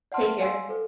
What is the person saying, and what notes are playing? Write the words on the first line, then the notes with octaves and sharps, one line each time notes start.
Take care.
D5 F#5 A5 C6 F6
D5 F5 G#5 C6 E6
A4 C5